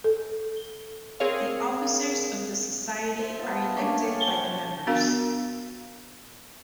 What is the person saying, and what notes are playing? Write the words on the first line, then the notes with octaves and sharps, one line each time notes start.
The officers of the Society are elected by the members.
A4
C4 G#4 A#4 C#5 F5
C5 E5
B3 F4 E5 A5
A3 A#3 C#4 D4
G#5 A5
C5 C#5 F#5
B3 D4 F#4 A#4 F5